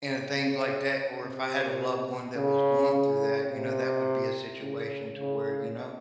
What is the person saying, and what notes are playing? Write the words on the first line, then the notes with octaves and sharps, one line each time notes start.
and, things like that. Or if I had a loved one that was going through that, you know, that would be a situation to where, you know,
C#3
C3
C#3
C#3
C3
C#3
C#3